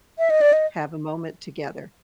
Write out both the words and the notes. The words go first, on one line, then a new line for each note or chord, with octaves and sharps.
have a moment together.
E5
D#5
D5
D#5